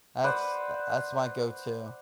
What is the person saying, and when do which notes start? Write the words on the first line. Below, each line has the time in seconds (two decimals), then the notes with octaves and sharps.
that's that's my go-to.
0.24 B4 C5 D5 F#5